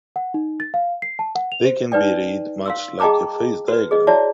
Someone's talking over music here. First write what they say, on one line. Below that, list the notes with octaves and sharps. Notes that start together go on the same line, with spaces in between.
They can be read much like a phase diagram.
F#5
D#4
A6
F5
C7
A5
F#5
F7
C5
D#4 B4 D5 G5
F5 C6 E6
G#4 D#5 G5 A5 A#5 D6
F#4 B4
G#4 D#5
E4 F#4 C#5 D5 E5 A5